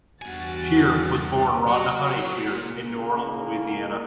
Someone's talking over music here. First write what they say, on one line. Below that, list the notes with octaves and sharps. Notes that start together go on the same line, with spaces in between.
Shear was born Rhonda Honey Shear in New Orleans, Louisiana.
E2 G2 F#4 G#5 A6
F#3 F#4
A#2
C#3 A#3